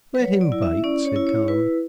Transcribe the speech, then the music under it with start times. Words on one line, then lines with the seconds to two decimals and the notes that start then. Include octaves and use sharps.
"Let him bite," said Tom.
0.15 B4
0.20 F#3 C#5
0.41 D5
0.52 E4
0.62 E5
0.84 C#4 D5
1.05 C#5
1.16 E4
1.27 C#5
1.48 E4 B4